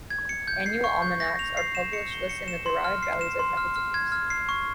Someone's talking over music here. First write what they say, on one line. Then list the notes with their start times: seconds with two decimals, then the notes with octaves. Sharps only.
Annual almanacs are published listing the derived values and methods of use.
0.10 G#6
0.29 C#7
0.48 G6
0.66 C7
0.84 C#6
1.02 G6
1.20 A#6
1.39 F7
1.57 C7
1.75 E7
1.93 C#7
2.11 G7
2.29 C#7
2.48 E7
2.66 C6
2.84 F6
3.03 C7
3.21 E7
3.39 C6
3.57 F6
3.76 F6
3.94 G#6
4.12 F6
4.30 C7
4.49 C#6